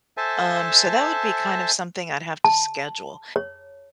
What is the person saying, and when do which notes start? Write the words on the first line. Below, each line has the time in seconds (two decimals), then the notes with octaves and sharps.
um, so that would be kind of something I'd have to schedule,
0.17 A4 C5 E5 G#5 A5
2.44 A5
3.36 C#5